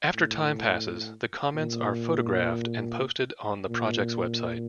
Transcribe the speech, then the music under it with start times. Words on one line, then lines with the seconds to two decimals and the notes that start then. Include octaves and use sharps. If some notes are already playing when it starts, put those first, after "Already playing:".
After time passes, the comments are photographed and posted on the project's website.
0.13 A2
1.54 A#2
3.68 A#2